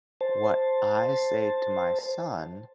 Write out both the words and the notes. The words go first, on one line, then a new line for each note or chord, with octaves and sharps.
What I say to my son
C5 A5